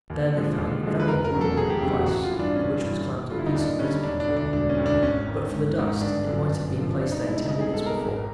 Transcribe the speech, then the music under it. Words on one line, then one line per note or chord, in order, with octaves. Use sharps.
There they found a very ordinary vise, in which was clamped a piece of metal; but for the dust, it might have been placed there ten minutes before.
D#2
D3 F3 G#3
D#2
D3 F3 G#3
B4
F1 A#4
A#4
E2 C#3 F#3 A3
A4
F1 G#4
G4
E2 C#3 F#3 A3 G4
F#4
A1 F#4
F4
G2 E3
D4
A1 C#4
G2 E3
D#2
D3 G3 F4
E4
D#4
D#2 D4
D3 G3 C#4
E1 D4
D4
D2 D3
D4
E1 D4
C#4
D2 D3
D4
G#1 C#4
G#2 D#3
G#1
G#2 D#3
G1 D4
F#2 D3 F3
G1
F#2 D3 F3
C2 D4
D#4
B2 G#3 E4
D#4
C2 D#4
G#4
B2 G#3 A4
A#4
G#1